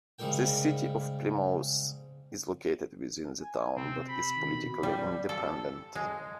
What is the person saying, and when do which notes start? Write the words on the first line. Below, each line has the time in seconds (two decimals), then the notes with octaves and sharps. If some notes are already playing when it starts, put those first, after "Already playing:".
The City of Plymouth is located within the town, but is politically independent.
0.19 G#2 C#3 G3 G4 A#4 G5
3.40 G#5
3.77 C3 C4
4.09 B5
4.36 D#3
4.54 B2
4.83 G3
5.29 A4
5.95 G#3